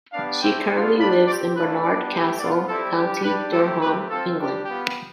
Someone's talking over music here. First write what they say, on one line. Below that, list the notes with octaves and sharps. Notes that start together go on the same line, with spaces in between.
She currently lives in Barnard Castle, County Durham, England.
B3 D4 G4 F5
A3 C4 E4 G4 G5
B3 D4 F4
G3 D4 F4 B5
C4 G4 D5
A3 D4 F4 B4
B3 D4 G4 D5
A3 E4 G4
B3 F4 D5
G3 C4 E4 G4 A4
G3 D4 G4
G3 D4 G4 B4
A3 C4 E4 G4 A4
A3 C4 G4 B4
C4 F4 A4
G3 D4 G4
B3 F4 G4